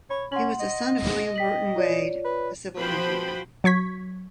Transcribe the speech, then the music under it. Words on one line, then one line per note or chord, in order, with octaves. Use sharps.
He was the son of William Burton Wade, a civil engineer.
C#5 B5
C#4 F#5 C6 F#7
D#5
G5 B6 F#7
F4 C#5 D5
B4
F3 F#4 B4 C5 G5 B5
F#3 C#6 G#6 B6